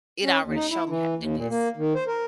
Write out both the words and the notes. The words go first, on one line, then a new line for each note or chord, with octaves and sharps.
it already showed me how to do this.
C#4
D#2
D#4
E4
E3
D#2
A#2
A#3
D#3
C5
A#4